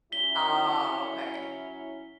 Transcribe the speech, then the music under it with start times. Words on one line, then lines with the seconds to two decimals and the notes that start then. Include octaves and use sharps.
Ah, okay.
0.12 F#3 C#4 E4 B6 G7